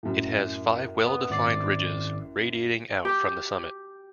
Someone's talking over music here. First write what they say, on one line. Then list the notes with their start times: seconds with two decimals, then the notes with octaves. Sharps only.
It has five well-defined ridges radiating out from the summit.
0.03 F#2 A2
1.06 B3
1.30 G#1 D5 C7
3.05 G4